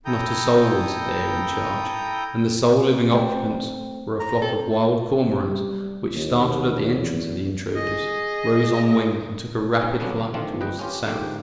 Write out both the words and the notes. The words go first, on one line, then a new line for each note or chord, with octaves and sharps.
Not a soul was there in charge, and the sole living occupants were a flock of wild cormorants which, startled at the entrance of the intruders, rose on wing, and took a rapid flight towards the south.
E4 A4 G5 A#5 D#6 G6
A3 C4
A#5
C4 A4
G3
D#2
E2
G#4 D#5
C2 C#4 D#4 D#5 G5 G#5
D3 F#3 A#3 B3 C#4 D4
D#3 F3 A3 C4 D4 F4
B4 D#5 G5
C#4 F4 G4
G#2 D3 F3 A#3 G4